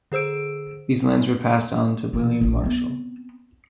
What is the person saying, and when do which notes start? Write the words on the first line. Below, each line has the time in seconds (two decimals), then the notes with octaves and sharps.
These lands were passed on to William Marshal.
0.12 D3 G#4 C5 E6 D7
2.13 B2 E3
2.41 D#1 A#1
2.64 B3 C4